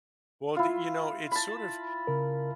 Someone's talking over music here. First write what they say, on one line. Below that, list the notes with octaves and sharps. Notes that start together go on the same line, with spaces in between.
Well, d it's sort of
E4 F4
A5 B5
C#3 A#4